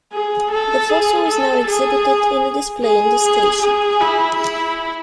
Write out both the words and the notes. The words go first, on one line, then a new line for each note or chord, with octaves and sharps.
The fossil is now exhibited in a display in the station.
G#4
A4
G#4
A4
G#4
G#4
G#4
G#4
E4
E4